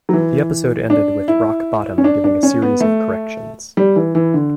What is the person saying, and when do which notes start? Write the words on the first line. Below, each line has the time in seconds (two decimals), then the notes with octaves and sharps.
The episode ended with Rock Bottom giving a series of corrections.
0.09 F#3
0.13 E3
0.90 D4
1.28 E4
1.98 C#4
2.04 D4
2.24 D4
2.43 C#4
2.62 B3
2.80 A3
3.77 G3
3.96 E3
4.15 E3
4.34 D3